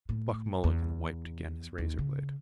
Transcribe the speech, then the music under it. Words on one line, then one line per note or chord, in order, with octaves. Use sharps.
Buck Mulligan wiped again his razorblade.
A2
E2
D#2
C#3